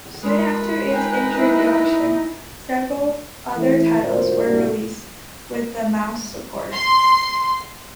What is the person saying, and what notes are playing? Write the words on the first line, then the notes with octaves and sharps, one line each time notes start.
Soon after its introduction, several other titles were released with the Mouse support.
G#3 F4 A#4 B4
D#4 D#5 F5 G5 G#5
E4
E3 A3
D2 G#2 F#3 F4 A#4 C5
A2 C3 G3 A#3 D4 F#4
C6